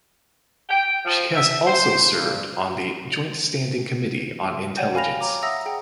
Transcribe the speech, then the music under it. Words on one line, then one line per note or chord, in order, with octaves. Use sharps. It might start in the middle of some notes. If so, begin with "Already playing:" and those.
She has also served on the Joint Standing Committee on Intelligence.
G5
F3
E5
C5
G2
C#5 D5 F#5 G5 G6
F5 G#5 B5 F6 A#6 F7
C#5 A#5 D6
E5 F#5 A#5 D#6 E6 A#6
G#4 F#5 G5